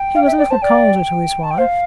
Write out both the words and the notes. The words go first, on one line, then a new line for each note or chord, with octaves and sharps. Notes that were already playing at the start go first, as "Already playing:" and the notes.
He was a little colder to his wife.
Already playing: G5
F5
E5
D5
C5 A5
D5 G5
A5
G5
C5 F5